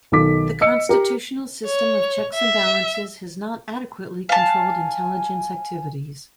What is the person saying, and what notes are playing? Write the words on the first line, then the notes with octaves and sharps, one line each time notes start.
The Constitutional system of checks and balances has not adequately controlled intelligence activities.
B1 D#3 A4 D6 B6
D#5 E6 C#7
G4 A#4
C#5
E5
F5 G#5 A5